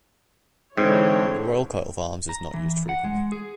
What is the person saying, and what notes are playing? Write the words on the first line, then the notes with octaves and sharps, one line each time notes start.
The royal coat of arms is not used frequently.
G#2 D3 E3 C4 C#5
A#5
E3
F#5
G#3
G#4